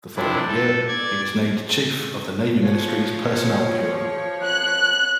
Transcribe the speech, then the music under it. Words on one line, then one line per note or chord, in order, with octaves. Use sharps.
The following year, he was named chief of the Navy Ministry's Personnel Bureau.
F2 C3 D4 E4
A4
D5 G#6
F3 C#5
F#6